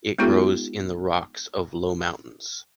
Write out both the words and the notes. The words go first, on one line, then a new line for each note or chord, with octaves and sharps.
It grows in the rocks of low mountains.
G#3 B3 D#4 F4 G4 A4